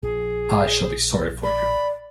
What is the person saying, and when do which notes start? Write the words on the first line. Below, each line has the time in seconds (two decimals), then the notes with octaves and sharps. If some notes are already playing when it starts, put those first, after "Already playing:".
I shall be sorry for you.
0.03 A#1 F3 G#4
1.44 D5 B5